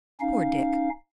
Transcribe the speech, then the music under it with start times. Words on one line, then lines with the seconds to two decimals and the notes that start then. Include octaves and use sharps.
Poor Dick!
0.20 C#4 D#4 F5